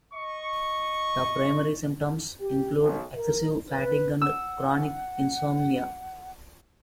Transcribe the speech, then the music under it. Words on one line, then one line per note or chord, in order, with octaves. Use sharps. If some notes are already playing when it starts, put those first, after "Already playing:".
The primary symptoms include excessive fatigue and chronic insomnia.
D#5 C#6
G4
B1
A#4
B4
F#5 E6